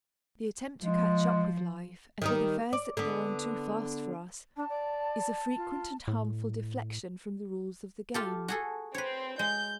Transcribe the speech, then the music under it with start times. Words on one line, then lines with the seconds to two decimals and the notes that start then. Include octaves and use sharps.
The attempt to catch up with life and with affairs that go on too fast for us is a frequent and harmful deflection from the rules of the game.
0.82 F3 G#3
2.22 D#3 G3 D#4
2.73 D5
2.97 D3 B3
4.56 D4 A5
4.69 D5
5.56 F4
6.08 A2
8.14 F4 G4 A4
8.48 F#4 G#4 A4
8.94 C4 B4 C#5
9.39 G#3 G6